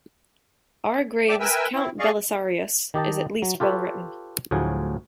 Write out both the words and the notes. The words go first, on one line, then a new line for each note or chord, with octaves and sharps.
R. Graves's "Count Belisarius"... is at least well-written.
D5 E5 G5 A5 D6
A#4 B4 E5 G5 G#5 E6
C4 E4
G#4 D5 D#5 F5 C#6
D#3 G4 D#5 A5
F#3
F4 G4 A4 B4 C#5
D2 A2 F3 F#3 G#4